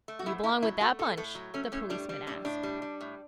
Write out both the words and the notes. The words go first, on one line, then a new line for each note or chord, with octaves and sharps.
"Do you belong with that bunch?" the policeman asked.
A3
F#4
A2 E4
A2 E4
F#3 E4
A3 F#4
A2 A4
A2 A4
F#3
A3 C#4
A2 C#4
G3 D4
G3
A2 D4
A2 D4
G3
G3
A2